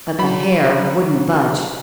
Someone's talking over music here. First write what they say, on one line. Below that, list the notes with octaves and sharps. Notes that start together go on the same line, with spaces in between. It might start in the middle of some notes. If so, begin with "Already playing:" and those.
But the hair wouldn't budge.
F#3 B5